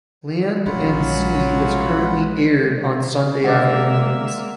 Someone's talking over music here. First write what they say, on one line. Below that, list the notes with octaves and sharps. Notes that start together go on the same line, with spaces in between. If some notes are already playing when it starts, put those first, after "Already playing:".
"Land and Sea" is currently aired on Sunday afternoons.
A#1 C#3 F#3 G#3 C#4 F4 F#5 B5
D3 G#3 A#3 D5 E5 F#5 A6